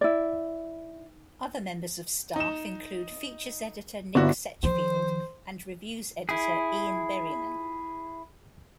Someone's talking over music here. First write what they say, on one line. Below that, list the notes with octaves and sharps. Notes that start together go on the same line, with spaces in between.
Other members of staff include features editor Nick Setchfield and reviews editor Ian Berriman.
E4 D5
D#4 E7
G1 D4 E4 F#4
D#3 F3 C5
E4 G#4